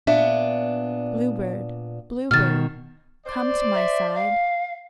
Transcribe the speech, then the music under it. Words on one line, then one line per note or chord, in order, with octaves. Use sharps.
"Blue Bird, Blue Bird, Come to my side."
A#2 B3 D4 E5
B2 D#3 F6 A6
C5 D5
E5
F5